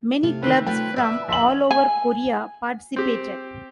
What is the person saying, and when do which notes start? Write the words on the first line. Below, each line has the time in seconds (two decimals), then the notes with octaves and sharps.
Many clubs from all over Korea participated.
0.23 C3 A3 F5
0.43 D#3 C4 B4
0.67 A3 F4 B4 C#5 G5
0.96 E4 B4 D5 E5
1.28 A#1 E5 C6 F#7
1.71 G#5
2.96 C4 G4